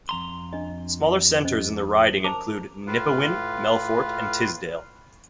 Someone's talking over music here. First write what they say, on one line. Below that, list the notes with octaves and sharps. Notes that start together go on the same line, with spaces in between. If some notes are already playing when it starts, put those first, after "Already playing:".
Smaller centres in the riding include Nipawin, Melfort, and Tisdale.
F2 A#5 C6
D4 D#5
C#4 C5 D#5
D#4
A#4 C5 A5 D6
A2 F4 B4 F5